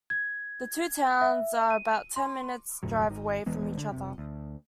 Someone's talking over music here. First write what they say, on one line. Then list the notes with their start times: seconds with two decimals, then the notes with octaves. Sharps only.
The two towns are about ten minutes' drive away from each other.
0.10 G#6
1.21 E5
1.70 D#7
2.16 C6
2.83 F1 D2 A2 F#3
3.07 G#1 D#3
3.46 D#1 E3 G#3 B3
3.78 D3
3.92 F1 C3
4.18 D2